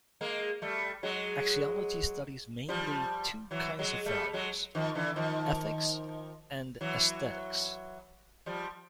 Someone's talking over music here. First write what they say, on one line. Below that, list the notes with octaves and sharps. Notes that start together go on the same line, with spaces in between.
Axiology studies mainly two kinds of values: ethics and aesthetics.
G#3 A#3
G3 A3
F#3 G#3
F3 G3
E3 F#3
F#3 G#3
G3 A3
F#3 G#3
D#3 F3
D3 E3
D#3 F3
E3 F#3
F3 G3